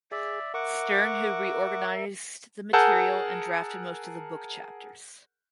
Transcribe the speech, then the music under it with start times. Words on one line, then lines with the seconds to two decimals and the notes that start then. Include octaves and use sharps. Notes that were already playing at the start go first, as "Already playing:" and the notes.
Stern who reorganized the material and drafted most of the book chapters.
0.12 G#4 D5 E5
0.54 A#4 E5 F#5 C#6 D6
2.73 G#4 A#4 F#5 A5 E6 G6